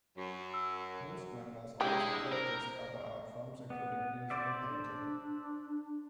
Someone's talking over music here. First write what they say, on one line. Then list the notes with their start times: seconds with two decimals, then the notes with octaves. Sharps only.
Most members also practiced other art forms including music and painting.
0.18 F#2
0.54 E6
1.81 G3 G#3 D4 E4 G4
2.32 A#4 C5
3.70 B3
4.30 C5 D5 E5
4.68 D4